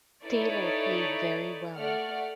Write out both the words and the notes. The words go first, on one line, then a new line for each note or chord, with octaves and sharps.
Taylor played very well.
D#4 E4 A4 B4 C#5 D5
A3 D5 F#5 F6